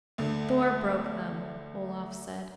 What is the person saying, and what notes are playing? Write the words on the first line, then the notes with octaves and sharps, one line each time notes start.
"Thor broke them," Olaf said.
D2 D3